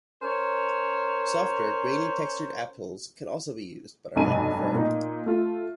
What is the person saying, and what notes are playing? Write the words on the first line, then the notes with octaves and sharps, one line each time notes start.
Softer, grainy-textured apples can also be used, but are not preferred.
C#4 A#4 C5 C#5
F1 B1 G2 G#5 D#7
A#2 D#4
A3 F4